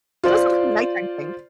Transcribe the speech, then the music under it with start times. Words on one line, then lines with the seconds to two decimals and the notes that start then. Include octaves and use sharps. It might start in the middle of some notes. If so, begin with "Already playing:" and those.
Just a little nighttime thing.
0.24 F4 C5 D5